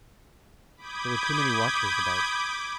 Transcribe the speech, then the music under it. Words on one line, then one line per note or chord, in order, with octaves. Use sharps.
There were too many watchers about.
B5 D6 D#6 G6 G#6
D6